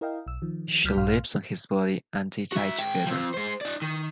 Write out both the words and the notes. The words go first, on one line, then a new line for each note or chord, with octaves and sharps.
She leaps on his body and they die together.
E4 A#4 D#5 F5 G5
B1 E6
D#3 F3
C#2 F#3 F6 G6 B6
A#1 G2 F5 C6 F6
F#4 E5
G#2 G5
F3 C4
G#3 C5
D#4 D5
D#3